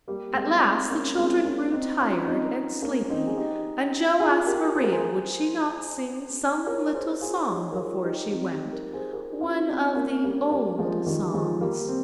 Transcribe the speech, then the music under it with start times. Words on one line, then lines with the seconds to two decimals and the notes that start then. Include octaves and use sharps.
At last the children grew tired and sleepy and Joe asked Maria would she not sing some little song before she went, one of the old songs.
0.08 G3 A#3
0.35 G#3 C4
0.63 C4 D#4
0.90 A#3 C#4
1.17 G#3 C4
1.45 A#3 C#4
1.72 C4 D#4
2.00 C#4 F4
2.27 C4 D#4
2.82 A#3 C#4
3.10 C4 D#4
3.27 G#4
3.37 D#4 G4
4.19 F4 G#4
4.47 G4 A#4
4.75 C5
4.84 A#4
4.92 G#4 C5
6.67 A#4 C#5
6.94 G#4 C5
7.21 F4 G#4
7.49 D#4 G4
7.72 A#4
7.76 F4 G#4
8.03 D#4 G4
8.31 C4 D#4
8.51 D#4 G4
8.73 G4 A#4
8.93 G#4 C5
9.13 G4 A#4
9.41 C#4 F4
9.68 C4 D#4
9.96 A#3 C#4
10.24 G3 A#3
10.51 G3 A#3
10.78 F3 G#3
11.06 D#3 G3
11.33 F3 G#3
11.61 G3 A#3
11.88 C4